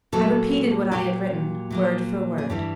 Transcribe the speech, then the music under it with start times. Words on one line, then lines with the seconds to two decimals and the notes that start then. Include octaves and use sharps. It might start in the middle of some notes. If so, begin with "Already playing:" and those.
I repeated what I had written, word for word.
0.12 A#2 F#3 A#3 A4
0.91 A#2 F#3 A#3 G4
1.70 A#2 F#3 A#3
2.38 G#4
2.49 G2 E3 G3 G4